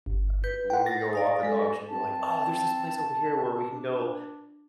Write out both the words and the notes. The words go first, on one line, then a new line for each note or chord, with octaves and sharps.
a i when we go walk the dog, she'll be like, "Oh, there's this place over here where we can go."
G1
B4 G6
F#5 G5
A6 A#6
D5 F5 D#6
G#3 A4
C4 A5
D4